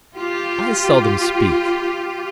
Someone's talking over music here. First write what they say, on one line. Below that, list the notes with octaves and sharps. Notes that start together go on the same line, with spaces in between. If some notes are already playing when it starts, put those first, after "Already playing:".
I seldom speak.
F4 G4